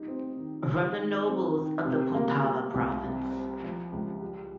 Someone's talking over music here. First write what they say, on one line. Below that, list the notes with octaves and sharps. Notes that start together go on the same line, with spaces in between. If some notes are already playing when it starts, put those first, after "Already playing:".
From the nobles of the Poltava province.
Already playing: G3 D#4
C4
D#3
G3
D#3
C4
D#3
C3
A#3
G3
C2
C3
C4
F3
C#2
G3